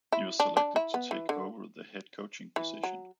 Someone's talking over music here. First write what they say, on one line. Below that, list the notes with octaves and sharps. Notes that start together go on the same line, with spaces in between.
He was selected to take over the head coaching position.
E4
D4
D4
E4
B3
E3
D3
E3
F#3